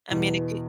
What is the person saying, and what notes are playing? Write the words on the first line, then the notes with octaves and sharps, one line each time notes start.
I mean, it could
E2 B2